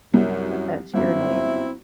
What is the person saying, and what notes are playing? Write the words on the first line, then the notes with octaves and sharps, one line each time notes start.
but that's your name.
C2 F#2
G1 F#2 C4 E4